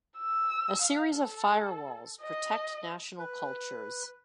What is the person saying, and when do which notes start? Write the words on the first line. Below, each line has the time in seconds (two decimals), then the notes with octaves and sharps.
A series of fire-walls protect national cultures.
0.18 E6
0.82 F5
1.14 A4
2.21 D#5
3.19 B4